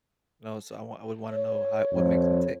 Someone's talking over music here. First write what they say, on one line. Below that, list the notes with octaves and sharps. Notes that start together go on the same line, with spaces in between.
You know, so I wou I would wanna know how what makes him tick,
C#5
F2